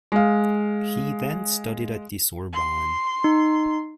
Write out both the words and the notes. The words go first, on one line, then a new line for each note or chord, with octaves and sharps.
He then studied at the Sorbonne.
G#3 F5
C6
D#4